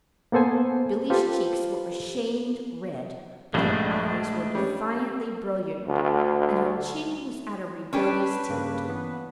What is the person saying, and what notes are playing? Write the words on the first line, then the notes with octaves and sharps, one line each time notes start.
Billy's cheeks were a shamed red, but her eyes were defiantly brilliant, and her chin was at a rebellious tilt.
A#3 B3 A4 C5 G#5
F4 G4 A4 B4 C5
A#1 G2 G#3 A3 D4
G3 C#4
D2
C#4 D4 G4 B4
G2 C#3 A#3
E3 B3